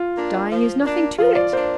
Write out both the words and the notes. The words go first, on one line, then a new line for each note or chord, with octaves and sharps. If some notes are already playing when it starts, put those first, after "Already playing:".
Dying is nothing to it.
Already playing: F4
A#3 D4
F3
A#3 D4
F3 F4
D5
A#3 D4 C5